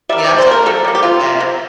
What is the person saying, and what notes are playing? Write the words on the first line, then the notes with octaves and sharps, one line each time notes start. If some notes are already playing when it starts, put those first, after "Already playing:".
Yeah, I totally agree with that.
G3 A#3 E5
C3 D5
C5
G3 A#3 A#4
C3 A4
G3 A#3
G4
C3 F4
G3
A#3
C3